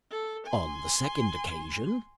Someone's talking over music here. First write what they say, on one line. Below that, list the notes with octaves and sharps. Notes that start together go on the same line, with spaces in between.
"On the second occasion."
A4
G#5 C6